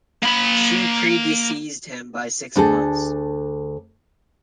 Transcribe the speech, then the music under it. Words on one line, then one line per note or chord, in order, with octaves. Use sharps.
She pre-deceased him by six months.
A#3 B5
D2 D4 G#4 A4